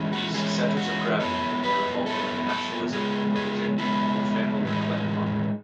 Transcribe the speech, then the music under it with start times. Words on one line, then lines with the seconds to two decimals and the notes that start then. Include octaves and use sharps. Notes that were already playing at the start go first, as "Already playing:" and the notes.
These centers of gravity may revolve around nationalism, religion, or family or clan honor.
Already playing: E3 G#3 C#4 E4
0.13 F#4
0.34 E3 G#3 C#4 E4 G#4
0.77 F#4
1.20 F#3 B3 E4 A4
1.64 B4
2.06 F#3 B3 E4 A4
2.49 A4
2.92 C#3 G#3 B3 G#4
3.36 G#4
3.78 C#3 G#3 B3 E4
4.65 A2 E3 G#3 D#4